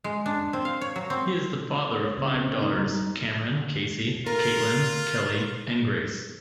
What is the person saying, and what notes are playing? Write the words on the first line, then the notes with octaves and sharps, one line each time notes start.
He is the father of five daughters; Cameron, Casey, Caitlin, Kelli and Grace.
G#3
D4
C4
F5
C#5
F#3
C4
C#5
C#3
C4
A#3
D#4
G3
F4 A#4